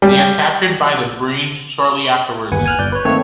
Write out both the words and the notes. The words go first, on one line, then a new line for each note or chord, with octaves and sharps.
They are captured by the Breen shortly afterwards.
G3
G1 D#2 B4 F#5 G#5
G#5 F6 F#6
G1 D5 G6
B4 C#5
D#3 A3 A#3 C4 A4 C#5